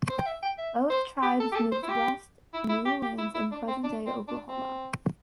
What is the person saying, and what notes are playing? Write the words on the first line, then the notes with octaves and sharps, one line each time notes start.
Both tribes moved west to new lands in present-day Oklahoma.
C5
G5
E5
G5
E5
C5
G4
A4
G4
A4
C5
E4
G4
E4
E4
G4
G4
E4
E4
D4
C4
D4
C4
D4
C4